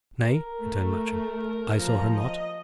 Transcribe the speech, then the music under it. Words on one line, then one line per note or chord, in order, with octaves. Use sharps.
"Nay," returned Matcham, "I saw her not."
A#4
A3
F3 A#5
D#5